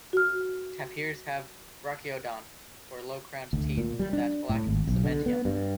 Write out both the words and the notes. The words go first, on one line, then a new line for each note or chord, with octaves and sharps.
Tapirs have brachyodont, or low-crowned teeth, that lack cementum.
F#4 F6
D2
A#2
G3
D4
A2
G#1
B1
D3
B3
G2